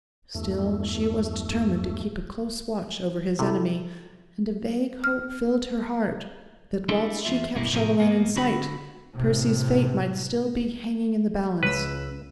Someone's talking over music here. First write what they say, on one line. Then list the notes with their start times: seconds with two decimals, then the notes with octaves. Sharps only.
Still, she was determined to keep a close watch over his enemy, and a vague hope filled her heart, that whilst she kept Chauvelin in sight, Percy's fate might still be hanging in the balance.
0.34 E2 G2 A3
3.39 C3 E4 A4
5.04 F6
6.89 G3 G#3 D4 E4 A4 C6
7.25 E2 A#3 F4 E5
7.55 G2 B2 A#3 E4
7.73 A2 C3 F3 D#4 G#4 A#4
7.98 G#2 A#3 B3
8.36 D3 F#4 B5
9.15 A2 C3
11.63 C#2 B4 E6